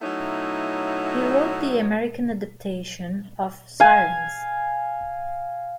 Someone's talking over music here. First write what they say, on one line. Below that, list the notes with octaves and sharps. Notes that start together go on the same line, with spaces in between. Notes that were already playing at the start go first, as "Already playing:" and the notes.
He wrote the American adaptation of "Sirens".
F#3 A3 B3 C#4 D#4 E4
F5 G#5